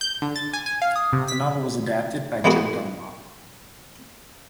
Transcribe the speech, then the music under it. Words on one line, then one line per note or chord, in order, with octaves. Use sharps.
The novel was adapted by Joe Dunlop.
G6
D3
A6
G#5
G#5
F5
D#6
C3
B6
E3 G#3 A#3 B3 F#4